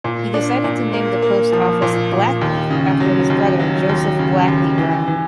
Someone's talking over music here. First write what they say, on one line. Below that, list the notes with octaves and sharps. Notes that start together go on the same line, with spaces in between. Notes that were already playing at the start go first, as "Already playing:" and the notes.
He decided to name the post office "Blackey", after his brother Joseph "Blackey" Brown.
A#2
D4
A#2
A#3
A#3
F3
A#2
A#2
D#2
C#3
F#3
D#2
F#3
D#2
C#3
D#2
E3
E3